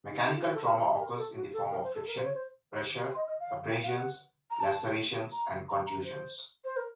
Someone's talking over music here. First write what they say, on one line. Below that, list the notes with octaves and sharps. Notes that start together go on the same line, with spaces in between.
Mechanical trauma occurs in the form of friction, pressure, abrasions, lacerations and contusions.
D#4
D#4
F4
F#4
A4
A#4
A#4
A4
F#4
A4
A#4
C5
A4
A#4
C5
C#5
C5
D#5
D#5
F5
F5
F#5
A#5
A5
A#5
A#5
A#5
C5
C5
A#4